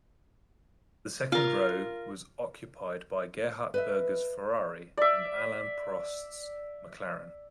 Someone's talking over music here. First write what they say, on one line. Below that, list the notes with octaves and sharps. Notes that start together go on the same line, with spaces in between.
The second row was occupied by Gerhard Berger's Ferrari and Alain Prost's McLaren.
F4 A#4
B4 D#5 E5
D5 E5